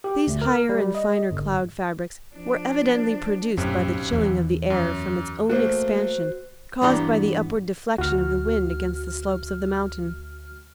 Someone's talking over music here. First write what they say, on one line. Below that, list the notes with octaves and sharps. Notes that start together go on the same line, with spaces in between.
These higher and finer cloud fabrics were evidently produced by the chilling of the air from its own expansion caused by the upward deflection of the wind against the slopes of the mountain.
G4
D2
A#4
G3
D#5
G1
F3 D4
B1 F#2 A2 C3 F#3 C#4
E2 F3
F#2
A3 A#3 F#4 C5
G2 E3 B3 D4 A#5 C6
D2 F#4 F6